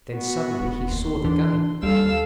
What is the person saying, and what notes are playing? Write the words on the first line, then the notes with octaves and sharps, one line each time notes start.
Then suddenly he saw the game.
B3 F#4
E1
D#2 C6
E3 D4
D#2 G3 A4 F5 E6